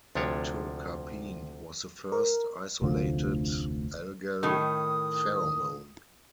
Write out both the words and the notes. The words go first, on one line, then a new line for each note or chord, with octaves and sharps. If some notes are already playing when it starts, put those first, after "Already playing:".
Ectocarpene was the first isolated algal pheromone.
D2 C3 F3 D4 C#5
A#4
F1 D2 D3 F3
A2 D#3 D#6